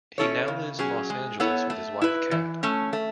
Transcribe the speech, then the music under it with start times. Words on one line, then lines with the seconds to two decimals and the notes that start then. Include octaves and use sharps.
He now lives in Los Angeles with his wife Kat.
0.18 C#4 E4 A4 C#5
0.48 C#3
0.79 F#3 C#4 G#4
1.10 G#3
1.40 B3 E4 A4 C#5
1.70 A3
2.02 E4 B4
2.31 E3
2.63 A3 C#4
2.93 A3